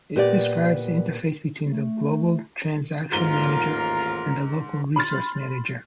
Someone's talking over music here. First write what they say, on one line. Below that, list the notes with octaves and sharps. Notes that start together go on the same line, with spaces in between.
It describes the interface between the global transaction manager and the local resource manager.
A#2 B3 G4 A#4 D5
A3
A1 D#2 G#2 F4 A#4 A#5 G7
B5 C6 F6 A6